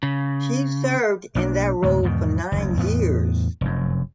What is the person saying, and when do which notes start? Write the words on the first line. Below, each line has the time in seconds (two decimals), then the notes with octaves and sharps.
She served in that role for nine years.
0.03 C#3
1.35 B1 A#3 C4 D4
1.83 D2 A2 C3 G#3
2.03 E2 G#2 B2 D#3
2.52 F#1 D2
2.77 E2 A2 B3
3.61 F1 F#2